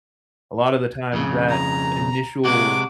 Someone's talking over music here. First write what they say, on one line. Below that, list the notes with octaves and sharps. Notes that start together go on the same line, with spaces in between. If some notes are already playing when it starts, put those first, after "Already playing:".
a lotta the time that initial
F2 C#3
A#5
C3 G#3 F#4 D6